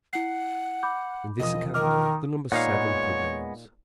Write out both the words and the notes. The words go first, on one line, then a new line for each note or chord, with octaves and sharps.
In this account the number seven prevails.
E4 F#5 C7
B5 D6 G6
E1 F3 D#5 D#6
D#3 A#4 D#5 D6 F6
A#2 G#3 B3 D#4 C#5 F5 F#5